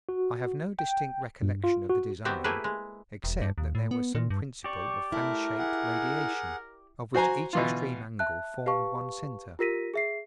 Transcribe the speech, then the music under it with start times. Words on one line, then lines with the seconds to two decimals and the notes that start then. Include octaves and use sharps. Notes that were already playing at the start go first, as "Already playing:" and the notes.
I have no distinct recollection of the design, except that there was some principle of fan-shaped radiation, of which each extreme angle formed one centre.
0.09 F#4
0.79 G5
1.42 G2
1.64 F4
1.89 F#4
2.25 D#3 B3 C4 F#4 G4 E5
2.44 A3 A#3 E4 G4 G#4 B4
2.64 G#3
3.24 E1
3.42 G2
3.58 D#2
3.75 A2
3.91 B3
4.15 A#2
4.30 G2
4.64 G4 D5 C#6
5.12 A3 E4 A#4
5.58 G#4 F#5
7.14 F#4 C5 G#5 A#5
7.53 B2 E3 F4
8.19 E5 A5 F#6
8.66 G4 B4 F5 A5 C#6
9.59 F4 G4 A#4 A#6 B6 D#7
9.94 G#4 E5 C7